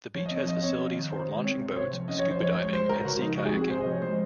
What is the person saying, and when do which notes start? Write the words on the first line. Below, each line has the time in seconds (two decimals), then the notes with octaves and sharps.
The beach has facilities for launching boats, scuba diving and sea kayaking.
0.15 F3 C#5
0.26 D#5
0.31 C4
0.36 C#5
0.47 F3 D#5
0.63 C4 C#5
0.80 C4
0.96 D#3
1.11 D#3 C5
1.29 G#3
1.44 C4 C#5
1.61 C3
1.71 C5
1.76 C3 C#5
1.92 F3
2.08 C#4 D#5
2.19 C#5
2.25 F3
2.31 C5
2.41 F3 C#5
2.52 C#5
2.56 G#3
2.63 C#5
2.73 G#3 C5
2.89 C#3 A#4
3.05 C#3 F#4
3.21 F3 D#4
3.37 G#3 F#4
3.46 G#4
3.54 C4 F#4
3.61 G#4
3.70 C3 C5
3.80 D#5
3.86 F3
3.91 C#5
4.02 G#3 C5